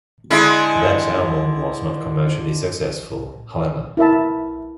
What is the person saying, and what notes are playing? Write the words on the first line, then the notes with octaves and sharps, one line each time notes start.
That album was not commercially successful, however.
D3 G#3 E4
E4 A#4 E5 A5